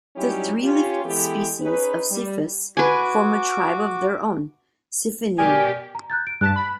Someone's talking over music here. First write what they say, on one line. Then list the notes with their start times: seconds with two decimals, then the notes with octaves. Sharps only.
The three living species of "Cepphus" form a tribe of their own: Cepphini.
0.16 F#3 G3 C#4 D#4 E4 G4
0.64 C#4 F4 G4
1.04 E3 G#3 B3 G4 A4
1.61 C#4 D#4 G#4 B4
2.11 G3
2.77 F#4 B4 G#5 D6
5.39 B2 G4 A#4 D5 G5 G#5
5.95 A#5
6.10 F#6 G6 A6
6.27 D7
6.41 G2 A5 F#6 B6
6.56 B5